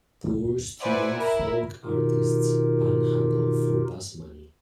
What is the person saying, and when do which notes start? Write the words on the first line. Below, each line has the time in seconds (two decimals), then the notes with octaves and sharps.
Poor student folk artists panhandle for bus money.
0.81 B4 C5 D5 E5 F#5 G#5
1.15 E4 A#4
1.85 B2 D#3 D#4 F4 G4 A#4